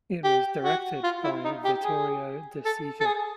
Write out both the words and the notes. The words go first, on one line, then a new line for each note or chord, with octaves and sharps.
It was directed by Vittorio De Sica.
G4
F#4
F4
E4
D#4
G4
G#4
A4
A4
G#4